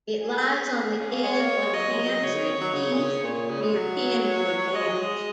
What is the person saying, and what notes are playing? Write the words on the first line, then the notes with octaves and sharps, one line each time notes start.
It lies on the edge of Hampstead Heath near Kenwood House.
G#4
C#4
A#3
G#3 C#5
A#3
G#3
F#3 D#5
G#3
F#3
C#3 C#5
D#3
F#3
C#3
A#2
C#3
A#2 C#5
C#3
G#3
F#3
C#5
G#3 D#5
F#3
G#3